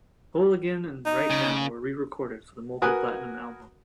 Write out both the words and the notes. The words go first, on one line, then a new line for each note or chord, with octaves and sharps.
"Whole Again" and "Right Now" were re-recorded for the multi-platinum album.
D#4
C#3
F#4 A#4 B4 G#5 D#6 F#6